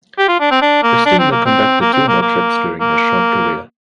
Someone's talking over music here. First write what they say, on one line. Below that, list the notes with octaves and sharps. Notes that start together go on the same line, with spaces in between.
The steamer conducted two more trips during her short career.
G4
F4
D4
C4
D4
A#3
D4
C4
A#3
C4
A#3
C4
A#3
A#3
A#3